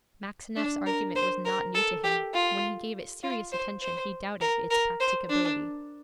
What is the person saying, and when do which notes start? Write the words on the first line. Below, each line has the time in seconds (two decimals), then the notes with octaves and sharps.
Maxineff's argument was not new to him; when he gave it serious attention he doubted its practicability.
0.57 D4
0.86 A#4
1.16 C5
1.46 A#4
1.75 A4
2.04 G4
2.34 F4
3.23 F4
3.52 C5
3.82 C5
4.41 A#4
4.71 A#4
5.01 C5
5.30 D4